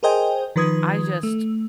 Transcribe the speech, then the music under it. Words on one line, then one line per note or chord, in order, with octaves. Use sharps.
I just
G#4 A#4 C5 D#5 G5 G#5
D#3 F3 B4 D#6 G#6
A3